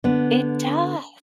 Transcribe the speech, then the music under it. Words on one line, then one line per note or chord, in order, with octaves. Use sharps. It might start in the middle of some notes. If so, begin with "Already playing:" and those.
It does.
D3 B3